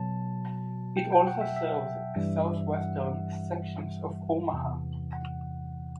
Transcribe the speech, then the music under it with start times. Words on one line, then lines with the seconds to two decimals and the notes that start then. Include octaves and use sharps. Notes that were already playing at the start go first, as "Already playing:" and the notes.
It also serves southwestern sections of Omaha.
Already playing: B2 F#3 A5
0.97 G5
1.12 G5
1.27 F#5
1.41 E5
1.56 E5
2.16 G2 E3 G3
2.75 F#5
4.53 E2 C3 E3
5.13 F#5